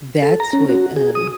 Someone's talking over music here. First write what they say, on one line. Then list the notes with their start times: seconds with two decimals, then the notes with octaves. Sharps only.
that's what, um
0.22 A4
0.40 A#5
0.53 C#4
0.69 F#4
0.96 G#4
1.15 D#6